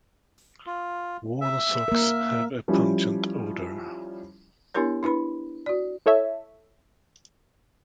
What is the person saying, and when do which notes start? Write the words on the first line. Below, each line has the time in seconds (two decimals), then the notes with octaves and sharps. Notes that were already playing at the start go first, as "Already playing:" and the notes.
Worn socks have a pungent odour.
0.67 F4
1.41 E5
1.88 A#3 A#4
2.68 F3 G3 C#4 E4
4.74 B3 D4 E4 G4 A#4 C#5
5.03 D4 E4 B4 B5
5.66 F#4 D5
6.06 E4 A4 C#5 E5